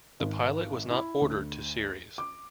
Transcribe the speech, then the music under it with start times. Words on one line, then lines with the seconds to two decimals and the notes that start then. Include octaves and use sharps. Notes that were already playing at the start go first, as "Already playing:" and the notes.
The pilot was not ordered to series.
0.20 G#1
0.90 E4
1.21 D2
2.18 D6